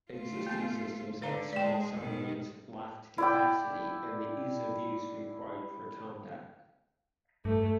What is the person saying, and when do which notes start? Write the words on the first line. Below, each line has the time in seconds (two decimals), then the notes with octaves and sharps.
Existing systems on small submarines lacked capacity and the ease-of-use required for combat.
0.12 A3 F4
0.47 A#3 B3
1.22 D3 B4 F5 A#5
1.53 G#3 D5 G5
1.97 B2 D#3
3.18 E4 D5 G5
7.45 G2 A3